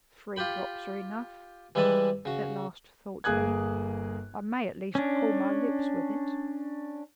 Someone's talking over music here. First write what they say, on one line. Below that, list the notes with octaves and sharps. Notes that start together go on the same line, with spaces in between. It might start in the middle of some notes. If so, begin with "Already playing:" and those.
"Three drops are enough," at last thought he; "I may, at least, cool my lips with it."
F4 G4 G5 B5
E3 G3 G#3 E4 B4 A5
C#3 F#4
G1 A#3 G#4 D#6 F#6 G#6
C#4 D4